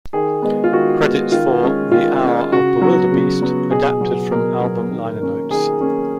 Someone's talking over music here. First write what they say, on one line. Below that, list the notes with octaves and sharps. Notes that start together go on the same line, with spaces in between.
Credits for "The Hour of Bewilderbeast" adapted from album liner notes.
D#3 G#4
G#3 B3
F4
D#3 F#4
G#3 B3
D#3 F4
G#3 C#4
D#3 F4
G#3 C#4
C#3 F#4
F#3 B3
C#3
F#3 B3
B2 G#4
F#3 B3
B2 A#4
F#3 B3
D#3
A#3 C#4
D#3 G#4
A#3 C#4